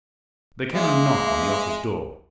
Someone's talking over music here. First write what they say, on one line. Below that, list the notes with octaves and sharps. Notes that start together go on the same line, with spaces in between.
There came a knock on the office door.
G#3 A#3 E5